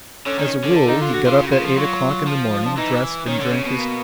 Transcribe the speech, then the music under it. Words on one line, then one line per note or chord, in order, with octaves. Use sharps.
As a rule he got up at eight o'clock in the morning, dressed, and drank his tea.
D3 C#4
D#3
D3
D4
D#4
F4
F#4
D3 F4
C#3
F#4
C#3 F4
F3
F#3 F4
F3
D4
E3 D#4
D#3 C#4
D3
C#3
B2
A#3